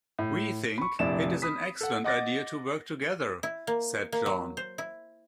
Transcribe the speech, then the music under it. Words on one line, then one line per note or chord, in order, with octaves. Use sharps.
"We think, it Is an excellent idea to work together," said John.
A2
B5 C#6
F1 A#1 E4 D5 E7
B5 D#6 B6
A4 F#5
D#5 F#5 D6 A6 A#6
E4
A#3
A#3
F#3
C5
E4